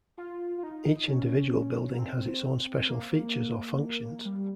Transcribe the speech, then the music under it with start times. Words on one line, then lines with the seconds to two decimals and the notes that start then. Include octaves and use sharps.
Each individual building has its own special features or functions.
0.18 F4
0.58 F4
0.63 D#4
1.08 C#4
1.93 A#3
1.99 C4
2.89 A#3
4.25 G3